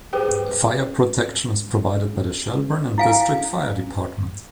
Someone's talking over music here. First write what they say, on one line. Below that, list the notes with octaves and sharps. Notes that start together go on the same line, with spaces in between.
Fire protection is provided by the Shelburne and District Fire Department.
G4 G#4 B4 C5 G5
E4 F5 G#5